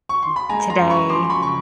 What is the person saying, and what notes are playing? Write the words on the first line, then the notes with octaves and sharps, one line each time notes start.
Hmm, today
C#6
C6
B5
G#3 G#5 A#5
A#5 C6
F#2
B5 C#6
F3 C6 D6
C6
B5 C#6
C#3 C#6